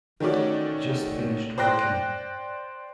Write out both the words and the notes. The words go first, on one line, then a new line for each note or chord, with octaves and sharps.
Just finished working.
D#3 A3 C#4 F#4 D5
C5 D5 G5 C6 F#6 A#6